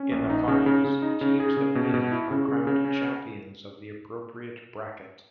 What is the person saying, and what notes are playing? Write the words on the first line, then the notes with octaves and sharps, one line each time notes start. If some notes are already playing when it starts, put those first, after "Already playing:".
In the Finals, teams that win are crowned champions of the appropriate bracket.
Already playing: C#4
A#1
D#4
C#3
C#3
C#3
D#4
C#3
G#4
C#3
B2
B2
E4
C#3
C#3
C#3
C#4